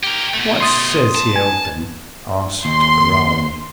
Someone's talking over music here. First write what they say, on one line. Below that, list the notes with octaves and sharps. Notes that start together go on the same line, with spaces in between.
"What says he of them?" asked Raleigh.
G4 A#4
B2 A3
C6 D#6 A6
A5
G#5
D#2 C6